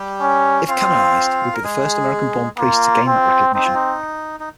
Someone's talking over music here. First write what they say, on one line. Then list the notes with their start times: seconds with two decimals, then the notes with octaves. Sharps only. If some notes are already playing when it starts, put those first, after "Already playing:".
If canonized, he would be the first American-born priest to gain that recognition.
Already playing: G3 G4
0.21 C#4
0.68 C4 F4 F5
1.54 A#4
1.64 G#3 G#4
2.58 A#3 F4
3.07 C4
3.54 C4 D#4
3.65 F4
3.74 D#4
4.40 D#4